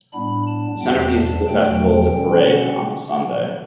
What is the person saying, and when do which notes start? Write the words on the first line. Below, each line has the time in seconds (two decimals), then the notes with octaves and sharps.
The centrepiece of the festival is a parade on the Sunday.
0.13 A2 G3 B3 D4 B5
0.47 A5
0.81 E2 B2 G3 B3 G5
1.14 A5
1.48 E2 B2 F#3 A3 G5
1.81 G5
2.15 B2 G3 C#4
2.48 F#5